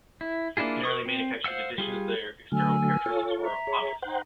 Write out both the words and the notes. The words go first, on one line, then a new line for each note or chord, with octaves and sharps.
In earlier manufactured editions the external characteristics were obvious.
E4
A#3 D4 E4 F4 G#4
A#4 C#6 D#6
C4
C5 F5 F#5 E6
G3 F4 G#4
D3 F#3 A3 G#5 E6 F6
F4 A4 C#5
E5 A#5
G#4 C#5
D#4 C5 F#5 G5